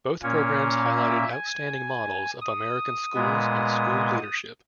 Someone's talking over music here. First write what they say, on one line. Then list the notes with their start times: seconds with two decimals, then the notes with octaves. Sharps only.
Both programs highlighted outstanding models of American schools and school leadership.
0.23 A#2 A#3 C#4 C#5
0.96 E5
1.32 G#5
2.41 D#6
3.14 A#2 G#3 B3